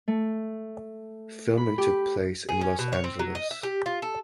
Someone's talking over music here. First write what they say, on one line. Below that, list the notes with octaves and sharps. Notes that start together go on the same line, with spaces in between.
Filming took place in Los Angeles.
A3
B5
G4
G#4
C#4
B2
C#5
C4
F#3
D#5
E5
G4
F4
A4